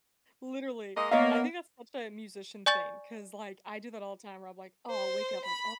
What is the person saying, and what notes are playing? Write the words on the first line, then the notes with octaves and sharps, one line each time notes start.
Literally. I think that's such a musician thing 'cause like I do that all the time where I'm, like, "Oh" I'll wake up like,
G#3 A#3 D#5
A#3 B3 C#5 D#5 F5
D5 G#5 C#6 G6 A6
C5
B5